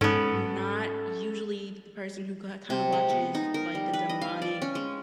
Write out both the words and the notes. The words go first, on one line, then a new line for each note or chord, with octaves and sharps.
n not usually the person who ki kinda watches, like, the demonic,
G#2 B3 C#4 A4 D7
C3
G#3
B3
D#4
A#4
G3
B4
D#5
F5
D5
C#4
G#3